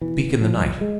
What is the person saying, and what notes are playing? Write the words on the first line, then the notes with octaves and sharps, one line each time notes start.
Speak in the night.
B2 E3
B2
F3
C2
G#3